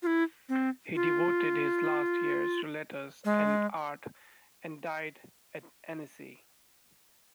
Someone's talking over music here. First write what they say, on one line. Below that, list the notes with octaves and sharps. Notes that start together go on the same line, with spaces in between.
He devoted his last years to letters and art, and died at Annecy.
F4
E4
C4
F4
G#3